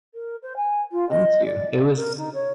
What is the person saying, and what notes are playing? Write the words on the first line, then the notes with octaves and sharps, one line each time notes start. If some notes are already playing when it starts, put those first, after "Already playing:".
Thank you. It was
A#4
C5
G#5
F4
D#5
D5
D5
A#4
D#4
C#5